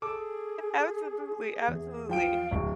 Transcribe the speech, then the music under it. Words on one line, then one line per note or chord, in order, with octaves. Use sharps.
Absolutely. Absolutely.
G#4 A4 D6
E2 G#4
F3 F5 G5 D7
D1